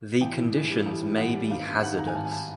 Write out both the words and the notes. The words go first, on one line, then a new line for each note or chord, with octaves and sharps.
The conditions may be hazardous.
A1 G5
A2
E3
G3
A1
A2
E3 F#5
G3
G#1 F5
G2
D#3 F#5
G#1 A#5
G#5
G#1 A5
G#5
A5